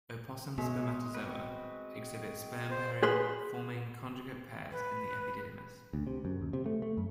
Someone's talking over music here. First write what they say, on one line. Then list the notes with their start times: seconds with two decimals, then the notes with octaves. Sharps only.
Opossum spermatozoa exhibit sperm-pairing, forming conjugate pairs in the epididymis.
0.58 B2 G#3 C#5 E5
1.15 C4 F#4 B4
2.71 C5
3.03 G#4 B4 C6
4.71 B4
5.93 D2
6.07 C3
6.25 F#2
6.41 D#2
6.53 C3
6.66 A3
6.82 A3
6.97 F#2